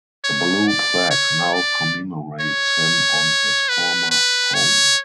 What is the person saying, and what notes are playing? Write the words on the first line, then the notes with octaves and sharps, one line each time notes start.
A Blue Plaque now commemorates him on his former home.
C#5
D5
C#5
D5
C#5
B4
B4
C#5